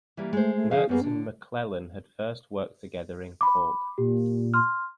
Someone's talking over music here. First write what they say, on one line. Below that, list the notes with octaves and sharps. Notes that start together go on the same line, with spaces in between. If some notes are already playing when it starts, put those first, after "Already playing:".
Merz and McLellan had first worked together in Cork.
E3 G3 A#3
G#3 A3 C5
A3
F3 C#4 G#4 F5
F#2 A#3 B3 G#4
D3 D4
B5 D6
A#2 G4
C6 F6